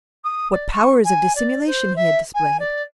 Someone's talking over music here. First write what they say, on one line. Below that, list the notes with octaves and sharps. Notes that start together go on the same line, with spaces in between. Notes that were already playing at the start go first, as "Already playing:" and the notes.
What powers of dissimulation he had displayed!
D#6
D5
C#6
G#5
D5
C5
E5
G#5
D5